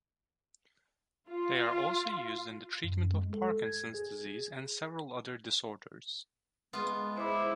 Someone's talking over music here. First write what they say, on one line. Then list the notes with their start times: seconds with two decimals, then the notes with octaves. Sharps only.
They are also used in the treatment of Parkinson's disease and several other disorders.
1.29 F4
2.84 F#2
3.14 G#3
3.33 A4
3.65 G#6
3.94 G#4
6.73 G#3 B3 F4
7.17 E4 C5 D6